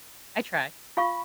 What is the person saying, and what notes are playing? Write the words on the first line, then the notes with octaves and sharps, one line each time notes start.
I try.
F4 F5 B5 C#6